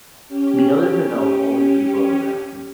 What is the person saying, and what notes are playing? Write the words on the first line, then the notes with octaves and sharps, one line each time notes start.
The others are known only through photographs.
C#4 G4